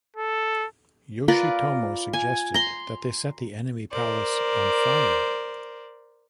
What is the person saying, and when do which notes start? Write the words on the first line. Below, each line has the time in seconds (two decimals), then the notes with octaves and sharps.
Yoshitomo suggested that they set the enemy palace on fire.
0.17 A4
1.28 F4 A#4 B4 D5
2.13 G#5
2.54 A#5 C6
3.91 A#4 C5 D5